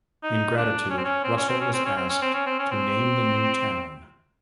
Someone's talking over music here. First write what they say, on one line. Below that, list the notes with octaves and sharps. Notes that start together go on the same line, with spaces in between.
In gratitude, Russell was asked to name the new town.
D#4
D4
C#4
C4
C#4
C4
C#4
C4
C#4
C4
C#4
C4
C#4
C4
C#4
C4
C#4
C4